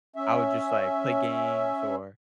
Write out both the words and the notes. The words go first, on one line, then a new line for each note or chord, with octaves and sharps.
I would just, like, play games or
C#4 E5